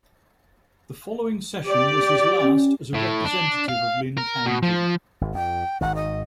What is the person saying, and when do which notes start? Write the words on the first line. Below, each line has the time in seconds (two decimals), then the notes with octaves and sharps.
The following session was his last as a representative of Linn County.
1.65 G4 D5
2.42 C#4
2.95 A2
3.26 D4
3.68 F5
4.17 A#4
4.46 B2
4.63 F3
5.21 G#1
5.34 F2 G5
5.81 G#1 G#2 D#3 F#5
5.95 D#5